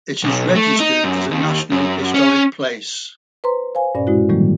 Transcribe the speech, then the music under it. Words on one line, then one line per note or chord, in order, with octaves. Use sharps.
It is registered as a National Historic Place.
B1
A3
D#4
F#2
D#2
F#2
C#4
B4 C5 A#5 C6
C5 F5 G#5
G2 A#2 C#4 D5
B2 G#3 E4 F#4
A2 D#3 E3 F#3 G3 A#3